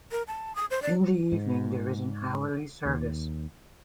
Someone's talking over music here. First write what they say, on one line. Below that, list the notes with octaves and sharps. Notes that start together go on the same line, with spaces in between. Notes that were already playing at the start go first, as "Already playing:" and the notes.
In the evening there is an hourly service.
A#4
A5
D#6
C5
D5
G#2
D#2